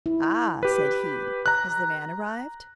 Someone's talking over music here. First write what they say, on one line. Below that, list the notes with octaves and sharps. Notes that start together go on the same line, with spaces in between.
"Ah!" said he, "has the van arrived?"
E4
G4 B4
A#5 F#6